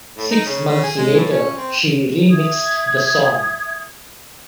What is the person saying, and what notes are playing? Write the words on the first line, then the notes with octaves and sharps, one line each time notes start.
Six months later she remixed the song.
A2
D#4
C#3
C#3
G#4
G#3
A2
C#4
C4
E5 D#6 G#6